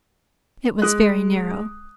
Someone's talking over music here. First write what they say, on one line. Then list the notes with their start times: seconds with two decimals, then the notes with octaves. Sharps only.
It was very narrow.
0.82 G#3 D#6 F#6